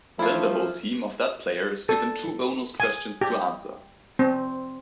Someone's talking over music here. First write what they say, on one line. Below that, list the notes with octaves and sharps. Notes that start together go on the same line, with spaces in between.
Then the whole team of that player is given two bonus questions to answer.
F3 A3 E4 F4
A4
G#5
G4
C4